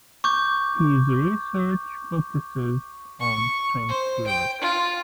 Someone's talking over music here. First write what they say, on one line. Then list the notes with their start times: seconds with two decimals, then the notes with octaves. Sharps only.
His research focusses on string theory.
0.24 C#6 D6 G6
3.20 C#6
3.89 C5
4.27 G5
4.61 F4